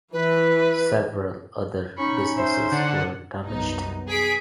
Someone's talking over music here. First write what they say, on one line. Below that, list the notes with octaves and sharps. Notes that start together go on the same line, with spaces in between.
Several other businesses were damaged.
E3 B4
C#4 D#4 B5 C#6
C5 E5
D3 F#5
C2 F#2 B3 D#4
G#4 B6 D7